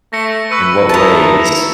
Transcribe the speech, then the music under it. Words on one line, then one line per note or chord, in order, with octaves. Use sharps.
In what ways?
A3 A#6 C#7
B4 C#6 E6 C#7 D#7
B3 E4 A5 A#5